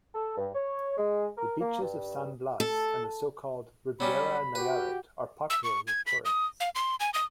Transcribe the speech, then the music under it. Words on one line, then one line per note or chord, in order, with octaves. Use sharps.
The beaches of San Blas and the so-called "Riviera Nayarit" are popular with tourists.
A4
G2
C#5
G#3
A#4
A#3
G2
A4
F#3 G3 C#4 B5
F#4 G4 B4
E6
C#6
G#6
B6
D#6
F5
C6
G#5
D#6